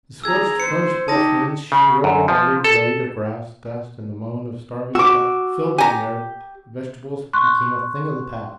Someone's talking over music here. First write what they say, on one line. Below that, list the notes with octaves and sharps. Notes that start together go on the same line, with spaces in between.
The scorching furnace-breath winds shrivelled every blade of grass, dust and the moan of starving stock filled the air, vegetables became a thing of the past.
G#4 A#5 E6 G#6
C5 C#7
D#4 G4 A5 D#6 A#6
C#3
F#2
F3
A4
F#4 D6 E6
G4 G#5 A#5
C6 C#6 F#6